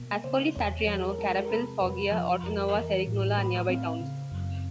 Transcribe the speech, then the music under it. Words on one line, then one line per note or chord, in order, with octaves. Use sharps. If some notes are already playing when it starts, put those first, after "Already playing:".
Ascoli Satriano, Carapelle, Foggia, Orta Nova, Cerignola are nearby towns.
Already playing: B2 A#3
C#3 C5
E2 C#5
F3 G#4
A#4
G#3 A4
A#4
C3 B4
F2 B4
F3 B4
F2 A#4
E3
A2
A3 B4
C4 F5
C#3
F#2